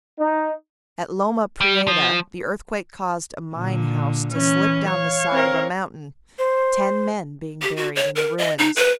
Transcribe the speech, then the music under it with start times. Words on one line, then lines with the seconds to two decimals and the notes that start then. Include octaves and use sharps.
At Loma Prieta the earthquake caused a mine house to slip down the side of a mountain, ten men being buried in the ruins.
0.18 D#4
1.61 G3
1.88 F3
3.55 A#2 D3
4.34 E3 C#4
4.88 C#5 F5
5.31 C4 A#4
6.39 C5
7.62 G4
7.77 F#4
7.96 C#5
8.16 A#4
8.38 D#5
8.59 D#4
8.76 B4